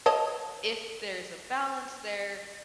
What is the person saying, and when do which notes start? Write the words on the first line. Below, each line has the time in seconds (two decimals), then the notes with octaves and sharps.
if there's a balance there
0.06 C#5 D#5 A5